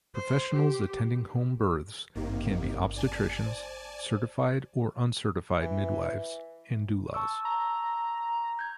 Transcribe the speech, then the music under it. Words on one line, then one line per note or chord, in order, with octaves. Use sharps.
Professionals attending home births can be obstetricians, certified or uncertified midwives, and doulas.
C5
G4
G#1 G2 C3 D#3 A#3
D5 G#5 A5
C5
E3
A5 C#6 E6
A#5
G6 G#6